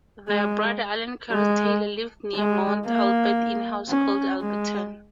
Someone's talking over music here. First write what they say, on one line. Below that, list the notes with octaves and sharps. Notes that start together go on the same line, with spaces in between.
Their brother Allen Kerr Taylor lived near Mount Albert in a house called Alberton.
G#3
G#3
G#3
A#3
C#4
G#3